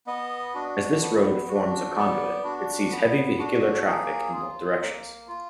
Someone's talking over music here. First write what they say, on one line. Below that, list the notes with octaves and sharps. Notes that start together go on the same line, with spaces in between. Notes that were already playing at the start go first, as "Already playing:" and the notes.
As this road forms a conduit, it sees heavy vehicular traffic in both directions.
B3 D#5
D4 F#4
B3
D4 F#4
B3 D5
D4 F#4
B3
D4 F#4
A#3 G#4
F4
A#3
F4